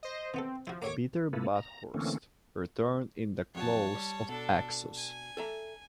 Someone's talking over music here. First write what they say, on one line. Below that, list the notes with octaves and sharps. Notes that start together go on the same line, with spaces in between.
Peter Bathurst returned in "The Claws of Axos".
C5 D#5
E3 B3 C4 A4
F3 E4 F#4
D#2 A2 A#3 C#5 D6
C3 A#3 E4 F4 A4 B4
A#5
D3 E3 A3 A#3 C4 C#4
F2 F#3 C#5 A5
G3
B2 D4 A4
G#5
A4 E5 A#5